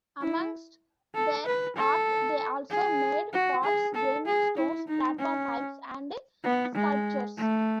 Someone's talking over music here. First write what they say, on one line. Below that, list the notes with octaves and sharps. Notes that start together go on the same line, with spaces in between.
Amongst their art they also made pots, gaming stones, platform pipes, and sculptures.
E4
A4
B4
A4
G#4
F#4
G#4
A4
G#4
E4
D#4
C#4
B3
G#3
A3